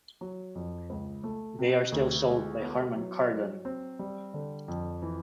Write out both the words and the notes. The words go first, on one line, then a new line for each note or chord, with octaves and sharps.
They are still sold by Harman Kardon.
F#3
F2
C#2
A3
C3
D2
G#3
B3
F#3
F#3
C4
G3
D3
F2
E3